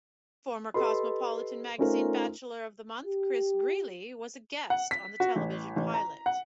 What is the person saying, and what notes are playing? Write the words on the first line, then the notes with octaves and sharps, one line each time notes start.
Former Cosmopolitan Magazine Bachelor-of-the-Month Chris Greeley was a guest on the television pilot.
G4 A4 B4 D#5 B5 C6
A3 C#4 D#4 F4 A#4 C5
G4
F#5
B6
F#4
A1
A1
A#5
F#5